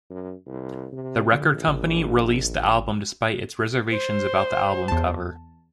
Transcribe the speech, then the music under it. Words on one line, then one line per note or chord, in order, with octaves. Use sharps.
The record company released the album despite its reservations about the album cover.
F#2
C2
C3
A#1 D3
G#1
C5
E2 A5